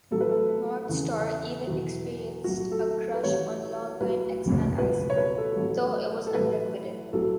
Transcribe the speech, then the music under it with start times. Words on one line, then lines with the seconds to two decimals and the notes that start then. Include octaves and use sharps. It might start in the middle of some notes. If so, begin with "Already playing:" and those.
Northstar even experienced a crush on long-time X-Man Iceman, though it was unrequited.
0.11 A1 A2 F#3 A4
0.21 B4
0.31 A4
0.89 E2 C#3 E3
1.67 E2 B2 F#3
2.44 B1 A2 F#3 F#4
2.71 A4
3.14 B4
3.23 A1 A2 E3 C#5
4.00 B1 A2 F#3 B4
4.78 C#2 B2 F#3 B4
5.10 C#5
5.17 B4
5.38 A4
5.56 A1 A2 F#3
6.27 A4
6.34 A1 A2 F#3 B4
7.13 B1 A2 F#3 A4